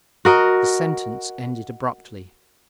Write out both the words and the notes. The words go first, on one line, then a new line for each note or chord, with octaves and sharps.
The sentence ended abruptly.
F#4 A#4 D#5